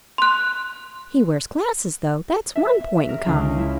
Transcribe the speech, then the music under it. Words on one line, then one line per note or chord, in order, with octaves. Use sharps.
He wears glasses, though; that's one point in common.
C6 F#6
E5
E5
A#4
C#2
E4